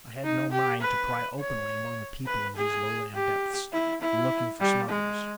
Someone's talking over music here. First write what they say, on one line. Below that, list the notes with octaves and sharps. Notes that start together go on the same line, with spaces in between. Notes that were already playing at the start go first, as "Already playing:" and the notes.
I had no mind to pry openly among the people of these Lowland depths, looking for smugglers.
D#4
G4
B4
C#5
B4
G#4
G4
E4
E4
G3
G#3